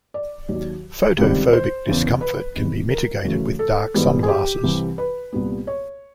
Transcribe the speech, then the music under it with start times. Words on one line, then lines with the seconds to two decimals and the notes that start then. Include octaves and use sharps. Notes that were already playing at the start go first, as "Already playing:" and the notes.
Photophobic discomfort can be mitigated with dark sunglasses.
0.14 D5
0.49 D#2 D#3 F#3
1.18 C#2 C3 D#3 G3 C4
1.53 C5
1.87 E2 C#3 E3
2.21 B4
2.56 E2 C3 D#3
2.90 A#4
3.25 F#2 C#3 E3 A3
3.59 A4
3.94 G#2 E3 G3 B3
4.23 G#4
4.28 G4
4.63 C2 C3 E3
4.98 B4
5.32 C2 A#2 G3 B3
5.67 C#5